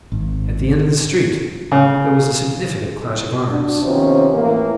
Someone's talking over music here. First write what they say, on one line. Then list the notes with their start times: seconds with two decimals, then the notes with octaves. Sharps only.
At the end of the street there was a significant clash of arms.
0.12 G#1
1.72 C#3
3.50 D4 F#4
3.83 C3 D#3 F3 B3 C#4
4.32 A2 E3 A#3